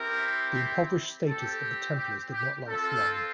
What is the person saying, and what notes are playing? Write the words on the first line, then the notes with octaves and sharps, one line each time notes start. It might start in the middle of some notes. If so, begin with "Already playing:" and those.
The impoverished status of the Templars did not last long.
Already playing: C4 E4 G4 A#4
C4 G4 A4
G4
G4
C4 F4 A4